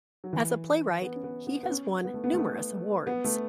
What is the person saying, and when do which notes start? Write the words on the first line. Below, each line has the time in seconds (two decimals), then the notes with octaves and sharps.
As a playwright, he has won numerous awards.
0.24 F#3
0.33 E3
1.02 B3
1.16 C#4
1.24 B3
1.47 B3
1.63 B3
1.70 C#4
2.05 B3
2.14 A3
2.24 B3
2.34 A3
2.38 B3
3.07 B3
3.24 A3